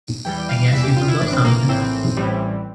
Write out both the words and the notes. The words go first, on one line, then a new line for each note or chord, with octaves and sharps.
I guess you forgot something.
E2 E3 G3 G5
F5
E2 E3 G3 E5
G4
F4
E4
A#1 A2 E3 D4
C4
A#3
A#3
A#1 A2 E3 C4
A1 A2 E3 G3